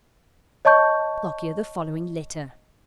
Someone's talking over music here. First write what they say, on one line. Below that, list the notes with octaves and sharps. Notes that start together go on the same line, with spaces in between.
Lockyer the following letter.
C#5 D#5 A5 C#6 G6